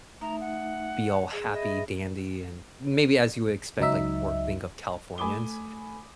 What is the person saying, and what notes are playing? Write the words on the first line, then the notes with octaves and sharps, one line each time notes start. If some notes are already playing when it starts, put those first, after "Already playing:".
be all happy, dandy, and maybe as you would expect, like, or think of Californians,
A3 D#4 E5 A#5
F#5
G#4
G#4 D#5 E5 B5
C#2 F#3 D#4 E5
A3 G#5 B5 D6 D#6 G7